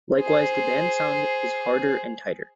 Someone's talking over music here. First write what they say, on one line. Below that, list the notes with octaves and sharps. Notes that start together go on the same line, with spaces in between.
Likewise, the band sound is harder and tighter.
G#4 C5